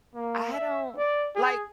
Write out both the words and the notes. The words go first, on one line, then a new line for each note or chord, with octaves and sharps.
I don't like,
A#3
E5
D5
G#4